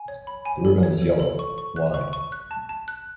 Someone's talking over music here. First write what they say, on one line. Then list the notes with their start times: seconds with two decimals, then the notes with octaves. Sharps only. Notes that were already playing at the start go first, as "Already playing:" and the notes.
The ribbon is yellow, wide.
Already playing: G#5
0.08 C#5
0.27 B5
0.45 G#5
0.65 A4
0.83 C#5
1.02 A4
1.20 A4
1.39 C#6
1.58 C#6
1.76 F#6
1.94 C#6
2.13 C#6
2.32 F#6
2.51 A5
2.69 A5
2.88 F#6